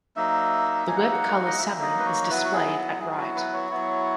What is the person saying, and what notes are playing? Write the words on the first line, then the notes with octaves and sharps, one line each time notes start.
The web color salmon is displayed at right.
F#3 A#3 D#4 E5
F#3 A#3 D#4 G#5
F#5
E5
F#5
D#5
F#3 A#3 D#4 E5
D#5
B4
C#5
F#3 B3 E4 B4
F#4
G#4
F#3 B3 E4 G#4
F#4
B4
C#5
F#3 B3 E4